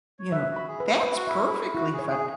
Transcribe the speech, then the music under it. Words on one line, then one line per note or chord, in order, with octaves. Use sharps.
You know? That's perfectly fine.
C#5
B4 E5
F#4
B5
G#4
B4
E4
E4 B4
F#4
E4 E5
B5
E4 F#4
G#4
C#5
G#4